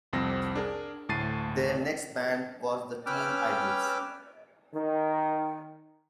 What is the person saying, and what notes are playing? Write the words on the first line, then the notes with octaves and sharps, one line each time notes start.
Their next band was The Teen Idles.
C2 F2 C4 A#6
D4 G#4 A#4
D2 A2 A5 A6 C7 D#7
C#4 B4 G5 D6 E6 F6
D#3